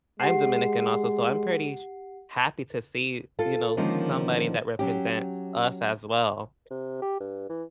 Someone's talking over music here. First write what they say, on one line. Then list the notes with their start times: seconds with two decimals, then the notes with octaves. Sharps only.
I'm Dominican also, so I'm pretty sh happy to see, you know, s somebody that represents us as well.
0.20 G#3 G4 F#5 C7
3.39 F4 A4
3.77 D3 D#3 F3 G#3 A#3 C#4
4.79 F#3 C#4 G4
6.71 C3
7.02 G4
7.20 G2
7.49 E3